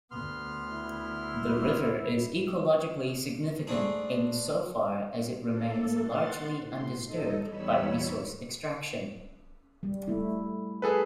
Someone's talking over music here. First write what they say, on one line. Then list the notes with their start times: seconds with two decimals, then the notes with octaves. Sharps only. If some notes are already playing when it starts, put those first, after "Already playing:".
The river is ecologically significant insofar as it remains largely undisturbed by resource extraction.
0.11 D2 B3 C6 F6
0.70 E4
3.67 A3 C4 D4 G#4
5.49 A3 A#3 A4
6.00 F#5 C6 A6
6.59 A2 C6
7.05 D#4 A4 D#5
7.45 E2 G3 D#4 C#5 B5 E6
9.83 G3
10.08 A3 E4
10.82 G#4 A4 B4